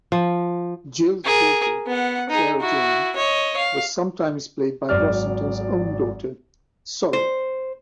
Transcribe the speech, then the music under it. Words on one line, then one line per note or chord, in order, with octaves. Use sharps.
Jill's daughter, Sarah-Jane, was sometimes played by Rossington's own daughter, Sorrel.
F3
G#4 A#4
B3 F#5
D#4 G#4
E4 F#4
C#5 D#5
F5
G#1 F#3 D5 F6
C5